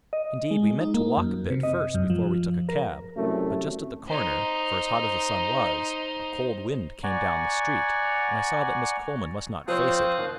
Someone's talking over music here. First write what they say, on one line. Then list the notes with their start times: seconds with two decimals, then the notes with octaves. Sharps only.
Indeed we meant to walk a bit first before we took a cab, but just at the corner, for as hot as the sun was, a cold wind came down the street, and I saw that Miss Coleman must not face it.
0.13 D#5
0.51 G#3
0.81 D#4
0.94 A#3
1.17 F#2
1.50 C3
1.63 D#5
1.94 F#2
2.10 F3
2.69 A#4
3.16 C2 F#2 A3
4.07 D#4 C5
7.04 D5 F#5 G#5 A#5 C#6
9.68 F3 C4 C5 C#5 F5 D#6 F#6
10.18 D#2